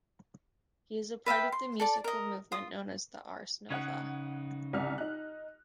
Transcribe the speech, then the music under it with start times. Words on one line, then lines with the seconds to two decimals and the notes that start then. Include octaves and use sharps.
He is a part of the musical movement known as the "ars nova".
1.26 B4 E5 F5 G5
1.52 C6
1.80 A4 D5 A5
2.04 A#4 D#5
2.52 F4 D#6
3.70 C#3 D#4 F#5 F#6 G#6
4.73 C2 F6
4.98 D#4 F#6